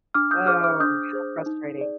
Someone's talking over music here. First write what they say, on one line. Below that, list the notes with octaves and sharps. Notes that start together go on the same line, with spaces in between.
Oh, how frustrating.
D4 D6 F6
D#6 G6
G#4 C5 D6 F6
D6 F6
D4 D#6 G6
G#4 C5
D#4
G#4 D5